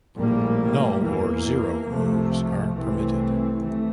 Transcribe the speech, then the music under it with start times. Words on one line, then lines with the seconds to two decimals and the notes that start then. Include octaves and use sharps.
"Null" or "zero" moves are permitted.
0.16 A#1 A2 G3 A#3
1.03 E2 E3 A#3
1.89 C2 C3 F3 A3
2.75 C2 C3 E3 A3 C4
3.62 E3 A3